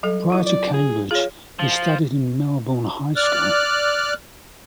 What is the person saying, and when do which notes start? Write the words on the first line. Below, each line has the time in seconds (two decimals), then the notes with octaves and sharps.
Prior to Cambridge he studied in Melbourne High School.
0.03 F#3 G3 A4
0.30 F#3 E4 F4
0.46 D5
0.74 G#4
1.11 F4 G#4 C#5
1.59 F3
3.16 D5 F6 F#6